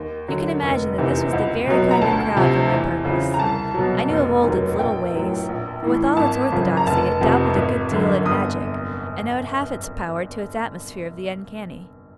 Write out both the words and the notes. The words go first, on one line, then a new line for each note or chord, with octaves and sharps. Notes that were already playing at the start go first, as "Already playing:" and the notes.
'You can imagine that this was the very kind of crowd for my purpose. I knew of old its little ways, for with all its orthodoxy it dabbled a good deal in magic, and owed half its power to its atmosphere of the uncanny.
Already playing: D#2
D3 F#3
F1
E2 C3 D#3
C#2
B2 F#3
A#5
D2 A5
C3 F3
E2
C#3 F3
A#5
C2 A5
B2 F#3
F1
D#2 D#3 F#3
A#1 G5
A2 F#3
A#1
A2 E3
G#1 A5
F#2 C#3 F3
A#5
F1 A5
F2 C3
G#1
F#2 D3
G1 D#6